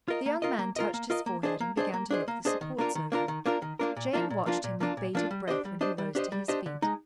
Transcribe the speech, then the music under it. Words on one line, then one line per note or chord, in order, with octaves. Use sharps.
The young man touched his forehead and began to look the supports over. Jane watched him with bated breath when he rose to his feet.
F4 A#4 D#5
A#3
F4 A#4 D#5
A#3
F4 A#4 D#5
A#3
F4 A#4 D#5
A#3
D4 G#4 C5 D#5
A#3
D4 G#4 C5 D#5
A#3
D4 G#4 C5 D#5
A#3
D4 G#4 C5 D#5
D#3
A#3 D4 F4 A#4
D#3
A#3 D4 F4 A#4
D#3
A#3 D4 F4 A#4
D#3
A#3 D4 F4 A#4
A#2
F3 A#3 D4 F4
A#2
F3 A#3 D4 F4
A#2
F3 A#3 D4 F4
A#2
F3 A#3 D4 F4
G3
D4 G4 C5 D#5
G3
D4 G4 C5 D#5
G3
D4 G4 C5 D#5
G3
D4 G4 C5 D#5
D3
G#3 D#4